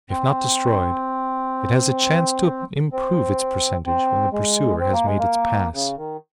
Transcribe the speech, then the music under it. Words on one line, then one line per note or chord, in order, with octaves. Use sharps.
"If not destroyed, it has a chance to improve its percentage when the pursuer has made its pass."
C4
C4
C4
G#3
C4
A#3
G#3
A#3
C#3
D#3